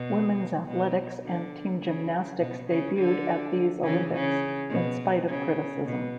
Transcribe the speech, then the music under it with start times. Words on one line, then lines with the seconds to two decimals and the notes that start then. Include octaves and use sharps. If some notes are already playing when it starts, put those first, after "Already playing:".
Women's athletics and team gymnastics debuted at these Olympics, in spite of criticism.
Already playing: B2
0.66 B2
1.24 D3
1.82 C#3
2.39 B2
2.68 C#3
2.97 D3
3.83 C#3 E3
4.12 C#3
4.70 B2
5.27 C#3
5.85 B2